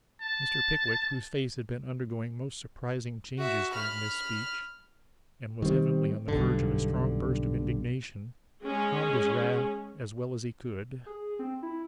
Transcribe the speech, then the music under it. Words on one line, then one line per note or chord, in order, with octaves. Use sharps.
Mr. Pickwick, whose face had been undergoing most surprising changes during this speech, and was evidently on the verge of a strong burst of indignation, calmed his wrath as well as he could.
A5
F#4 E5
B5 F6
D#3 G3 C4
B1 G2 D3
G#3 C#4 G#4
G#4
C4
E4